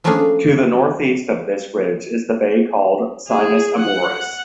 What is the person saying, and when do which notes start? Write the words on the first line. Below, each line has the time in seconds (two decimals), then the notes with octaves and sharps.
To the northeast of this ridge is the bay called Sinus Amoris.
0.04 F3 A3 A#3 C#4 D4 G#4
3.29 G#4
3.78 F#5